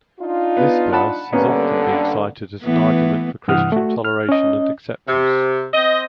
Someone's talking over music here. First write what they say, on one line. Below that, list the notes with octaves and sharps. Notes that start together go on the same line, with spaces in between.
This verse has often been cited as an argument for Christian toleration and acceptance.
D4 D#4 F4
B3
F#5 A5 B5
G2 D3 A#3 B3 C#4
E3 A3 B3
G2 C3 E3 F#5 D#6 F6
A3 F#4
F6
C#4 D#5
C3
C4 D#5